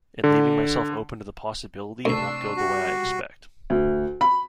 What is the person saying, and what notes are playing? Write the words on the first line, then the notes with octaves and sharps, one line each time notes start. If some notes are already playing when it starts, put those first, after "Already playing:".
And leaving myself open to the possibility it won't go the way I expect.
D3
D2 C3 D4 C#6 E6 C7
G3 F#4
D2
B5